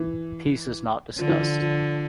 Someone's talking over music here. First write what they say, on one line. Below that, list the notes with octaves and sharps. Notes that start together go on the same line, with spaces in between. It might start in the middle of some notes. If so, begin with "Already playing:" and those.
Peace is not discussed.
Already playing: E3
D3 F3
E3
F3
F3